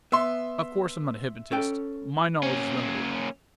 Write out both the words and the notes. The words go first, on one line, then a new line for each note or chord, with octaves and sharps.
Of course I'm not a hypnotist; my knowledge is limited.
B3 E5 C6
C#4 A4 G5
A#3 C#4